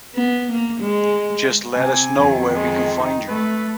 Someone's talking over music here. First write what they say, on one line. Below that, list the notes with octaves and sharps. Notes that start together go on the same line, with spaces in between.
Just let us know where we can find you.
B3
A#3
G#3
C3 G#5
F2 D#3
G#3
D#4
A3 B4